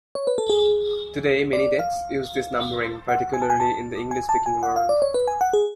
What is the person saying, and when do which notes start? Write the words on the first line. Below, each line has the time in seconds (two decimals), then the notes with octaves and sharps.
Today many decks use this numbering, particularly in the English-speaking world.
0.15 C#5
0.27 B4
0.38 A4
0.49 G#4
1.53 D5
1.79 F5
3.09 F#5
3.34 G#5
3.42 A5
3.50 G#5
3.60 A5
4.11 G#5
4.29 A5
4.46 G#5
4.63 F#5
4.76 F5
4.89 D5
5.02 C#5
5.14 B4
5.28 G#5
5.41 F#5
5.53 G#4